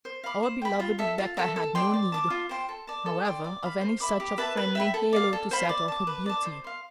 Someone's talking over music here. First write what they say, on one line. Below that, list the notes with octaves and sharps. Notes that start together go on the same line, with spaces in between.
Our beloved Rebecca had no need, however, of any such a friendly halo to set off her beauty.
C5
F5 B5 D6
C5
G5 B5
F4
A4 E5
F4
A4 E5
A4
D5 G5 C6
D5
A5 D6
F4
C5 G5 C6
A4
D5 A5
A4
D5 G5 C6
D5
F5 B5
C5
E5 B5 D6
G4
B4 E5 A5
B4
E5 G5 B5
A4
D5 F5
A4
C5 F5 B5
D5
A5 D6
B4
D5 A5
C5
F5 C6